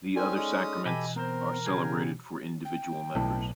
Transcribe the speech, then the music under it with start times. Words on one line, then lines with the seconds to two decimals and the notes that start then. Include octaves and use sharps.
The other sacraments are celebrated for individual members.
0.16 C4 C#4 D#4 A4 D5 G#5
0.36 G#3 C#4 D#6
0.86 B2 E3 G4 A4 D#5 E5 G#5 B5
1.16 B3 C4 A#4 C5
1.66 C#3 G4 G#4
2.65 G5
3.15 B1 A2